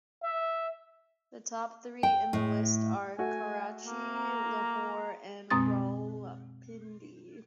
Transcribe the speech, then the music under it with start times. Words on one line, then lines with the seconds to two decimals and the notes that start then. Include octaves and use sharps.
The top three in the list are Karachi, Lahore and Rawalpindi.
0.24 E5
2.03 G5
2.33 A2
3.18 A3 F#4 G#5
3.85 A#3
4.13 A#5
5.50 F#2 B2 G#3 C4 D#6 A6